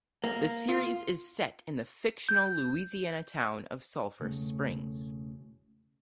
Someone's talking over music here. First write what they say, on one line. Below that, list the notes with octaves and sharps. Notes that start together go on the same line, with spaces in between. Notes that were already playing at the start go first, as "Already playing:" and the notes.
The series is set in the fictional Louisiana town of Sulphur Springs.
A#3
F4
G6
E1 C#3 A3